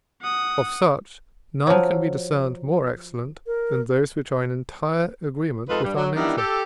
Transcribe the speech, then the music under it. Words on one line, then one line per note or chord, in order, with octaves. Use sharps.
Of such none can be discerned more excellent, than those which are in entire agreement with our nature.
F#5 D#6
F3 F#3
A#4
F2 G#3 D#4 F4 A4 B4
G2 G3
F#3
D#3 E3 G3 B3 D4 E4
G4 A4